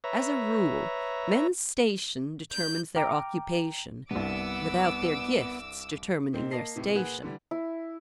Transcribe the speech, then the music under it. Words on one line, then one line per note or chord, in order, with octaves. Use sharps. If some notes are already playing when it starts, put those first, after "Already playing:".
As a rule, men's station determines their occupation without their gifts determining their station.
B4 C#5 E5 A#5
G6
G5 A#5 D6 F6 A#6 D7
C2 G2 B3 D6 E6
A#2 C4 D#4
A#3 D#5 A5 A#6 C7
A2 C3 E3
A#2 G#4 B4 F#5 F#6
D3 E3 G3
E4